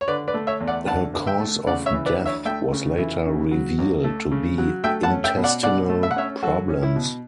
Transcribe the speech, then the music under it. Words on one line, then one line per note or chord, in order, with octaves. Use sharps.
Her cause of death was later revealed to be intestinal problems.
C#5
D3 B4 D5
B4 D5
A3
C#5 E5
E2
D5 F#5
D4 F#5 A5
D3
E5 G5
A3
C#3 D5 F#5
C#5 E5
E3
B4 D5
D2
C#5 E5
A3 E5 G5
C#3
E3
C#3
F#3
C#2
A3
C#3
F#3
A3 E5 G5
F#5 A5
C#4
E5 G5
B2
D5 F#5
B2 D5 F#5
A3
E5
F#5
C#4 C#5 E5
F#3 F#4 A4
C#4
E4
B2